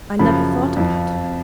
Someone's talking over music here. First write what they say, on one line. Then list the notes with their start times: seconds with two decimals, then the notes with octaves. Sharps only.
'I never thought about her.
0.19 F#2 C#3 F3 B5
0.76 F2 F3